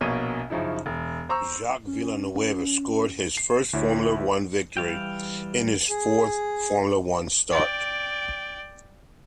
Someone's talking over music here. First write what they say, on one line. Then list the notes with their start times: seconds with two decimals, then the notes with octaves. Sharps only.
Jacques Villeneuve scored his first Formula One victory in his fourth Formula One start.
0.01 A#1 B2 A#3 C#5 D#7
0.50 F#2 C#3 F3 D#4 E4
0.86 E1
1.29 C5 A#5 C#6 E6
1.87 C#4
3.37 C7
3.73 D2 E4 C#5 E5
4.77 E3 G3 F5 G5
5.89 G#4
7.51 D5 G5